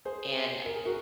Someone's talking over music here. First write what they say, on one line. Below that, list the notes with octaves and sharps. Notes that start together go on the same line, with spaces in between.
And, eh,
G#4 C5
A#4
G#4
F#4 A#4